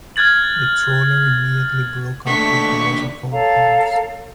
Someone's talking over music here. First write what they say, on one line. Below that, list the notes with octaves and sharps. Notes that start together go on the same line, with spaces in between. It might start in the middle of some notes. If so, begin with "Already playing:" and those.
The trawler immediately broke up with the loss of all hands.
F6 F#6 G#6 A6 F#7
D#2 A3 D4 C#6 B6
A4 C#5 F5 A#5